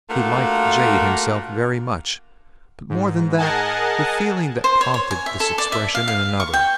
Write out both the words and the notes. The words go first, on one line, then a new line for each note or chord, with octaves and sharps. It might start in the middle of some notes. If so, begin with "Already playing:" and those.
He liked jade himself very much, but more than that the feeling that prompted this expression in another.
A3 A#3 D4 F4 F#4 A#4
G#2
G#4 A#4 D#5 F#5 G#5 A5
C5
C#5
C#5
G#5
E5
A4
D5
E5
F5
F5
C#6
G5